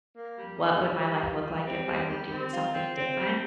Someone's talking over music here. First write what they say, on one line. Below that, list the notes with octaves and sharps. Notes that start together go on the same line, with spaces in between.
what would my life look like if I were doing something different,
A#3
G3
D#4
G3
G3
F4
G3
C4
G3
G3
C4
F4
C4
C4
G3